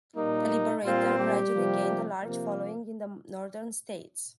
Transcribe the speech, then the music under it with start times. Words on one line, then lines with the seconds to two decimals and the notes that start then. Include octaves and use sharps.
"The Liberator" gradually gained a large following in the northern states.
0.16 A#2 G3 A#3 D#4
0.84 A#2 G3 C4 F4
1.18 G3 G4
1.53 C3 F3 A#3
2.20 C3 F3 A#3